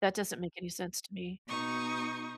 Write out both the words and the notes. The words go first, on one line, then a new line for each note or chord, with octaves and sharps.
That doesn't make any sense to me.
B2 D#4 C#6 D#6